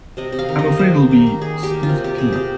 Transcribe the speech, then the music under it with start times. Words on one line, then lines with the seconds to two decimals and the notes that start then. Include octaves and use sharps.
I'm afraid it'll be Steve Tina.
0.17 C3 D#5
0.32 C3
0.39 F5
0.49 D#3
0.59 D#5
0.64 A#3
0.79 C3 C5
0.95 D#3
1.11 A#3
1.27 D#3
1.41 D#3 G#4
1.58 D#3
1.63 G4
1.73 A#3
1.83 F4
1.89 C3
2.04 C3 G4
2.18 C3 G#4
2.32 C3 G4